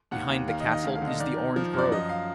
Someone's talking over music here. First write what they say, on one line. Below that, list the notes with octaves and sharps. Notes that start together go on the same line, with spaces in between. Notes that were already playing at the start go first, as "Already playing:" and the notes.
Behind the castle is the orange grove.
D#2 F#5
D#2
D#3 F5
D#5
D#3
D#5
D2 F5
F5
D3
D#5
D#3 D5
D#3
F3
F#2
D5
F3 D#5
F5